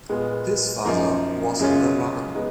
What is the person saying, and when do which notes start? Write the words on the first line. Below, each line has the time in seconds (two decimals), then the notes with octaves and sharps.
His father was the Ran.
0.09 A#2 G#3 B3
0.84 F#2 F3 A#3 D#4
1.59 F#2 C#3 G#3 C#4 F4
2.35 G#3 B3 D#4